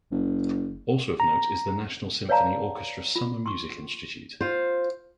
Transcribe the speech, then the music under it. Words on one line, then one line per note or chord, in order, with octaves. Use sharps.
Also of note is the National Symphony Orchestra Summer Music Institute.
F#1
A#5
B4 C#5 D5 F5 A5 A#5
F4
C6 C#6
F4 C5